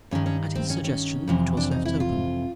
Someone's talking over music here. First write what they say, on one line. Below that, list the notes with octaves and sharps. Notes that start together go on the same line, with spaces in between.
At his suggestion it was left open.
G2 D#3 C#4
C#4
C4
C#4
C#4
F2 C3 E3
D4
D#4
E4
F4